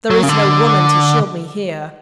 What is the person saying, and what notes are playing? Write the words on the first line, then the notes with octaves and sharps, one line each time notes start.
There is no woman to shield me here.
F#3
C#3
D3